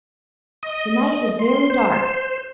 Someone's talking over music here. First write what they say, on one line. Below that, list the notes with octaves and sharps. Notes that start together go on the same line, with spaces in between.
"The night is very dark."
D#5
C6
C5